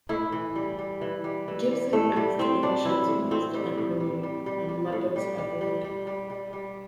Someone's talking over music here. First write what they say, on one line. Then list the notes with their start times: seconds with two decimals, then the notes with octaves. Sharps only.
Gibson asked permission to use the acronym, and Maddox agreed.
0.09 A2 E4
0.32 E3
0.56 G3
0.79 G3
1.01 E3
1.24 G3
1.48 E3
1.71 G3
1.93 A2 A3
2.16 A2 G3
2.39 A2 C4
2.62 G3 D4
2.85 E3 E4
3.08 A2
3.31 A2 C4
3.54 G3
3.78 A2
4.00 G3
4.23 G3
4.46 G3
4.69 G3
4.92 A2
5.16 G3
5.38 G3
5.61 G3
5.84 G3
6.07 G3
6.30 G3
6.53 G3